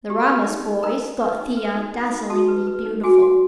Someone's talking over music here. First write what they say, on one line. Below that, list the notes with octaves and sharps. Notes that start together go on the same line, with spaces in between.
The Ramas boys thought Thea dazzlingly beautiful.
G4
G4
D#4
D#4
D#4 A#4 A#5
D#4
B4
D#4
B4
D#4
D#4
D#4
F#4 A4 A5
B4
B4
D#4
F#4 G#4 G#5
F#4